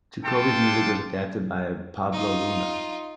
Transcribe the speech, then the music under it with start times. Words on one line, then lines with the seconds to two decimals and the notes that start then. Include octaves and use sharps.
Jacobi's music was adapted by Pablo Luna.
0.24 D4 F4 A4 G5 A5 C6
2.13 D#4 F4